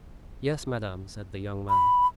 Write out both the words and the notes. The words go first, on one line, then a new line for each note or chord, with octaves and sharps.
"Yes, madame," said the young man.
B5